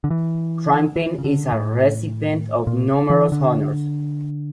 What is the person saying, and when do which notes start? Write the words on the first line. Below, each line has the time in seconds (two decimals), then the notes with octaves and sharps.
Trimpin is a recipient of numerous honors.
0.04 D3
0.10 E3
0.96 E3
1.18 C#3
1.24 D3
1.52 A2
2.67 A#2
3.10 E3
3.32 D3